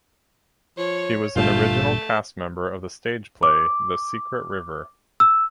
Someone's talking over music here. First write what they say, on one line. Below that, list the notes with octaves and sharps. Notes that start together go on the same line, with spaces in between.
He was an original cast member of the stage play "The Secret River".
F3 C#5
G1 G2 A#2 A3 F4 A5 G6
D6
E6